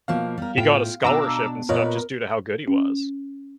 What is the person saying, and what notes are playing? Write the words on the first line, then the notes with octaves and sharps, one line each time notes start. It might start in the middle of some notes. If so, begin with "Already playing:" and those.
he got a scholarship and stuff just due to how good he was,
B2 F3 A#3 F5
G3 A#4
A2 F4 G5
B2 D4 A#5 D6 E6
A#2 F4 A#4 B4 C#5 D#5
C#4